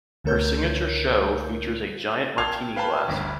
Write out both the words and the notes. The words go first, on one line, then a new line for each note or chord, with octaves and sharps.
Her signature show features a giant martini glass.
C#2 D3 A3 A#4 C#5 G6
G5 A5 F6 G#6 C7 F7
B4 F5 G5 A5 B5
G1 D2 G2